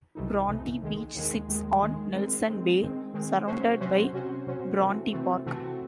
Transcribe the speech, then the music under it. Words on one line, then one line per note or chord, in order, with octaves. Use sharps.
Bronte Beach sits on Nelson Bay, surrounded by Bronte Park.
C2 C3 E3 A3 D#4
C2 C3 E3 A3 D#4
D#2 D#3 G#3
D#2 D#3 G#3
D#2 D#3 G#3
D#2 D#3 G#3
D#3 G#3 C4
D#3 G#3 C4
D#3 G#3 C4
D#3 G#3 C4
C3 F#3 C#4 F#4 C5
C3 F#3 C#4 F#4 C5
C3 F#3 C#4 F#4 C5
C3 F#3 C#4 F#4 C5
C3 E3 A3 C4 F#4
C3 E3 A3 C4 F#4
C3 E3 A3 C4 F#4